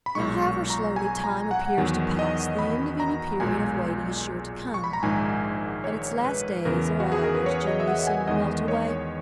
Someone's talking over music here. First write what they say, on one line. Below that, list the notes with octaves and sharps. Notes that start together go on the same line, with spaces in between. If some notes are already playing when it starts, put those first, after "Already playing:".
Now however slowly time appears to pass, the end of any period of waiting is sure to come, and its last days or hours generally seem to melt away.
B5
B1 A#2 G#3 C#6
C#6
A#5
G#5
A#5
F#5
E2 D#3 F#3
D#5
B5
A#5
B1 A#2 G#3 G#5
C#6
B5
A#5
A#1 G#2 D#3 G#3 G#5
C#5
B4
E2 C#3 E3 A#4
F#4
G#4
A#4
B4
C#5
D#5
E5
F#5
G#5
E2 D#3 G#3 D#5
C#5